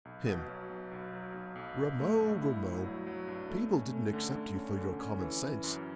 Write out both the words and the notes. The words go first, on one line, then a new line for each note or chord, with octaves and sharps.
HIM: Rameau, Rameau, people didn't accept you for your common sense!
B1
B2
F#3
B1
B1
F#3
B1
B1
G2
A3
G2
E4
G2
F#3
F#3
G2
A3
C#4
A3
D3
D3
C#4
D3
C#4
E3
E3
F#2